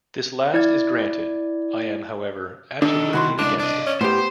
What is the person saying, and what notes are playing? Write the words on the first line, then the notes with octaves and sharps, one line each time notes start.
This last is granted: I am, however, absolutely against it.
E4 D5 G#6
D#3 D4 A4
C2 E4 F#4 C6
C#2 D4 D5
D4 D5 D#5
C#4
A2 B3 G4 C5